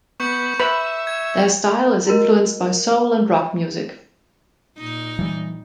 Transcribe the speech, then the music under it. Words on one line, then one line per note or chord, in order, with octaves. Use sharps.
Their style is influenced by soul and rock music.
B3 C#6 G6 C#7
B4 E5 B5
G#6
E4 F#4 A#4 D#5
A#2 D#4
E3 G3